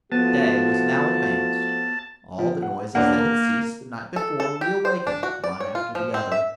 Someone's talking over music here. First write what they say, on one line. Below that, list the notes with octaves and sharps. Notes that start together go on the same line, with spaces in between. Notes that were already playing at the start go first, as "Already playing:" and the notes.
Day was now advanced; all the noises that had ceased the night before reawakened, one after the other.
F3 A3 B3 F#4 A5
F3
F#5
E1 A#3 D4 F#5
A#4
A4
A4
G4
C5
D4
F#4
D5
C#5
F4
F3
C4
E5